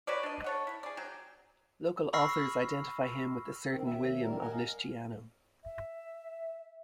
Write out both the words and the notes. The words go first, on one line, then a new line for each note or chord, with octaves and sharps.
Local authors identify him with a certain William of Lisciano.
F#4 B4 C#5 D5
D4 D#5
A4 C#5 F#5
E4
G#4 D5
F#3 G5
B5 C#6 E6 F6 A#6 C7
D#3 C4
D#2 E5
D#3 G3 A#4
A#4 D#5 F#5 G#5
F5
E5